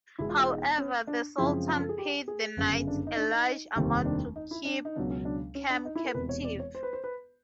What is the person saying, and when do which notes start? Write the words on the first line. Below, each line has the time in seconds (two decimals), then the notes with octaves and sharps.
However, the sultan paid the Knights a large amount to keep Cem captive.
0.19 E1 E2 B2 G#3 E4
0.29 F4
0.39 F4
0.49 D#4
0.78 C#4
1.07 D4
1.38 F#2 C#3 F3 G#3 C4 E4
1.68 F4
1.80 A4
1.89 G#4
1.98 G4
2.28 G#4
2.57 G1 F#2 C#3
2.88 D4
3.07 D#4
3.16 D4
3.31 D#4
3.76 F1 D#2 D#3 G3 C4
4.06 D4
4.36 D#4
4.51 E4
4.65 D4
4.85 D#4
4.96 C#2 B2 F#3 D4
5.10 C#4
5.25 D4
5.55 C#4
5.70 D4
5.85 D#4
5.95 E4
6.05 A#4
6.14 E1 E2 C3 B4
6.29 C#5
6.44 D5
6.59 C#5
6.75 C5
6.83 B4
6.93 C5
7.04 B4